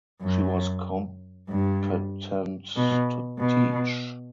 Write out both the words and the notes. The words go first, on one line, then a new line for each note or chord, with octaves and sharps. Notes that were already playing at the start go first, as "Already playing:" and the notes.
She was competent to teach.
F#2
G2
B2
B2